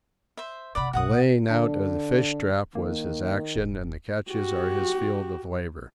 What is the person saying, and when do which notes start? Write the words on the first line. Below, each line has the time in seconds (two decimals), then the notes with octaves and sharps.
The laying out of the fish trap was his action and the catches are his field of labour.
0.37 C5 E5
0.75 F#1 C3 D5 F#5 B5
0.93 B1 F#4 F#5 D#6
1.50 D3 D4
2.75 D#3 A#3
3.56 D#1
4.31 F#4 G4